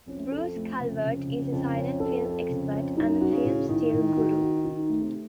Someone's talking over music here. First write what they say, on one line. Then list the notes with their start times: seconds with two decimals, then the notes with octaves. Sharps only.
Bruce Calvert is a silent film expert and a film-still guru.
0.07 F2 C#4
0.32 A4
0.56 A3
0.80 C#3
1.04 C#3
1.28 C#3
1.52 F2 C#3
1.77 C#4
2.00 A4
2.25 A4
2.49 C#3
2.73 C#4
2.97 F#2 D#4
3.21 F#4
3.32 C#3
3.44 A2
3.68 A2 D#3
3.93 A2
4.17 F#4
4.41 F#4
4.65 D#4
4.89 A3
5.03 C3